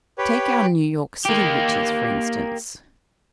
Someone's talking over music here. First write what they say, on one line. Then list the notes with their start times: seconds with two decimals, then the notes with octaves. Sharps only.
Take our New York city witches, for instance.
0.18 G4 B4 C#5 G5 B5
1.26 A#3 G4